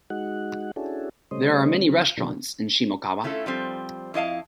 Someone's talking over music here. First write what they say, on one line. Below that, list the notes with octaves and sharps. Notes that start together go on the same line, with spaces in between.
There are many restaurants in Shimokawa.
G#3 D#4 F#4 F#5
C#4 D4 E4 F#4 G#4 A4
C#3 G3 A3 C#4 C5 D#5
D3 F#3 C4
B2 D#3 E3 F#3 A#3 D4
A3 C#4 E4 F4 A4
F3 G3 C4
F2 E4 D#5 F5 A5